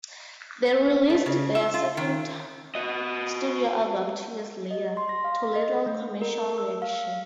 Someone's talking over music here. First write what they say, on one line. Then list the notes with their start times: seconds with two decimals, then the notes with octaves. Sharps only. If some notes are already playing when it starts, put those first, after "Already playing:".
They released their second studio album two years later, to little commercial reaction.
1.10 A3
1.26 C#3
1.55 E5
1.74 F4
1.97 D#3
2.75 F#4 D#5
4.71 D#5
4.97 C6
5.09 A#6
5.24 F5
5.55 D#5
5.86 A3
6.22 A#4
6.58 E6
6.82 F5